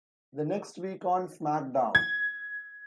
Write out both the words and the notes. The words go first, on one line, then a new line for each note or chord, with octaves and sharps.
The next week on SmackDown!
G#6